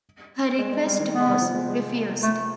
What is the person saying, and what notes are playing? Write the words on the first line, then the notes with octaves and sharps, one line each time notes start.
Her request was refused.
G#3
G#3
G3
D#3
B3
C3
F3
G#3
G#3
A3